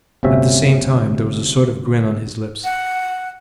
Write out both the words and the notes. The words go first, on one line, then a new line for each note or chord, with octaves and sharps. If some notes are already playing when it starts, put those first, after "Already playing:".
At the same time there was a sort of grin on his lips.
G1 D2 C3 C#4 E5
F#5